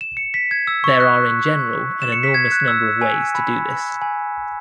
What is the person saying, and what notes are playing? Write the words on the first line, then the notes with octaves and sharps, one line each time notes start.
There are in general an enormous number of ways to do this.
E7
C#7
B6
G#6
E6
C#6
F#6
E7
C#7
B6
G#6
F#6
E6
G#5
B5
G#5